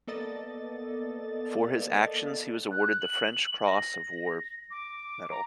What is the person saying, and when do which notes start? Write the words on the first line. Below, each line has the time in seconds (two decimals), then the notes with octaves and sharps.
For his actions, he was awarded the French Cross of War medal.
0.07 A#3 B3 A4 D5 D#5 A6
2.71 F#6
3.00 F#7
3.66 A#6
4.70 D6
5.30 A#5